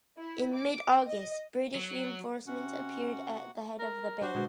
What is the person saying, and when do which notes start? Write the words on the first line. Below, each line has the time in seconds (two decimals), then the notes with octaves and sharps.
In mid-August, British reinforcements appeared at the head of the bay.
0.18 E4
0.53 D6
1.07 D#5
1.75 F#3
2.47 C3 C#4 F#4 F#5
3.79 A#4
4.21 D4 F#4 C5
4.35 B2 D3 G#3